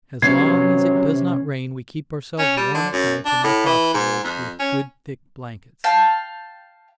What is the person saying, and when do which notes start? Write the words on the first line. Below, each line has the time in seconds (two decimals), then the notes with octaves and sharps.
As long as it does not rain we keep ourselves warm at night in our fox-holes with good thick blankets.
0.22 C3 F#3 B3 C#4 D4 G#6 C7
2.38 C#4
2.57 G3
2.75 D3
2.93 F#2
3.25 D4
3.44 A2
3.66 E3
3.94 G#2
4.24 F2
4.59 C#4
5.84 F5 G5 A5